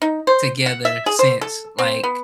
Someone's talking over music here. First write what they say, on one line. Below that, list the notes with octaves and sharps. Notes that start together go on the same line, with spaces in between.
together since, like,
D#4
C5
F#5
E5
G#4
C5
A4
C4
B3